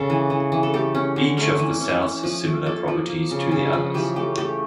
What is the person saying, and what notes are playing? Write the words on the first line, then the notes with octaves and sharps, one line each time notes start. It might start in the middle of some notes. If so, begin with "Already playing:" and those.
Each of the cells has similar properties to the others.
Already playing: C#3 C#4 A4
E3
E3
E3
A4
A3 G4
C#4
D3
A3 A#4
E3
C#4
C#4
F3
A3
A#3 A4
F3
A#3
C#3
C#3
F3
E3 G4
A3 G4
A3 G4